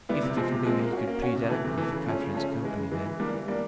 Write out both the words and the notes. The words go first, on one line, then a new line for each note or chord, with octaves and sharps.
Heathcliff knew he could plead eloquently for Catherine's company, then.
G3 B3 E4
C3
F3 G#3 C4
C3
F3 G#3 C4
A#3
C#4 F#4
A#3
C#4 F#4
C3
E3 A3
C3
E3 A3
C#3
F3 A3 C#4
C#3
F3 A3 C#4
C#3
E3 G#3
C#3
E3 G#3
E3
G3 A#3 D4
E3
G3 A#3 D4